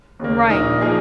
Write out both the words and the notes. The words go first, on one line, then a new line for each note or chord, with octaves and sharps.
Mm right.
D#2 C#3 A#3
A#1 A#2 A#3 D#4
A#2 F3 A#3 D#4 G#4